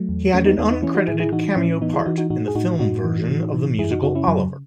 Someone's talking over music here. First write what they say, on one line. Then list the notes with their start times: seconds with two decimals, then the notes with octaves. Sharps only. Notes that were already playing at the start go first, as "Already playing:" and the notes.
He had an uncredited cameo part in the film version of the musical Oliver!
Already playing: F#3 A3
0.09 E2
0.34 E2 A3 C#4
0.45 B3 D#4
0.58 E2 B3 D#4
0.71 B3 D#4
0.82 E3 C#4 E4
0.95 D#4 F#4
1.07 A2 E4 G#4
1.20 E4 G#4
1.32 E3 D#4 F#4
1.56 A2 C#4 E4
1.81 E3 B3 D#4
1.94 E4 G#4
2.05 E3 D#4 F#4
2.18 D#4 F#4
2.30 A2 D#4 F#4
2.48 G#4
2.55 A2 D#4 F#4
2.79 A2 D#4 F#4
3.04 E3
3.29 A2
3.54 E3
3.79 F#2 E4 G#4
3.91 D#4 F#4
4.02 C#3 D#4 F#4
4.15 C#4 E4
4.27 F#2 F#3